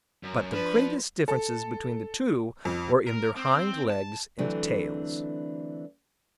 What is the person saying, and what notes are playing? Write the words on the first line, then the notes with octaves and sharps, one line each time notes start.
But the greatest differences between the two were in their hind legs and tails.
F#2
F3 D4 B4
A4
F2
A#4
C4
A5
D3 E3 F#3 A3 C4 D4